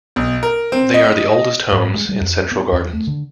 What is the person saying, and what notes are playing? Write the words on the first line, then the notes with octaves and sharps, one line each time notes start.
They are the oldest homes in Central Gardens.
B1
A#4
C4
D#5
G#2
G#3
G3
F2
B3
E2
A3
D3